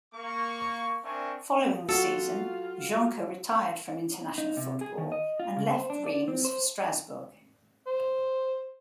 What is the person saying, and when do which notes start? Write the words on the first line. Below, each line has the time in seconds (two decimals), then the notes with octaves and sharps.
Following the season, Jonquet retired from international football and left Reims for Strasbourg.
0.15 A#3 C#6
1.04 C4 D4 A#4 E5 G#5 C#6
1.89 F4 F#4 A4
4.38 D#4
4.57 C3
4.81 G#4
4.98 D#3
5.12 D#5
5.40 F4
5.57 C#3
5.73 C5
5.90 D4
6.06 D5
6.28 C4
6.45 C5
7.87 C5